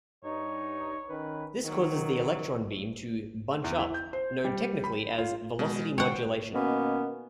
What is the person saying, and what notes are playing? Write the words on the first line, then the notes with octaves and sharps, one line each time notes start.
This causes the electron beam to "bunch up", known technically as "velocity modulation".
G2 D#4 C#5
D#3 C#4 B4
D#3 F#3
E2
E4
G6
C5
G3
B5
F4
B2 G#3
C5 C#5 F#5 G5
B2 D#3 A#3 B3 C#4